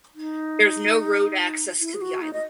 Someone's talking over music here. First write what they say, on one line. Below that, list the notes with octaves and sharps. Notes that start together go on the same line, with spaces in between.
There is no road access to the island.
D#4
E4
G#4
F#4
D#4
D#5